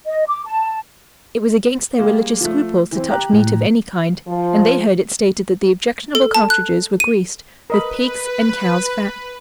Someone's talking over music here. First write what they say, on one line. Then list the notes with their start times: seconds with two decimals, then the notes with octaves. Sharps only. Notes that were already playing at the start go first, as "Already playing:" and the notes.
It was against their religious scruples to touch meat of any kind, and they heard it stated that the objectionable cartridges were greased with pig's and cow's fat.
0.05 D#5
0.28 D6
0.45 A5
1.99 G3 G#3 A#3
2.41 F3 A3
2.92 E3 C4
3.09 G4 A#5 F#6
3.33 A2
4.27 F3
6.15 A4
6.34 A5
6.50 F#6
7.00 D#7
7.70 A#4 B4 D#5 B5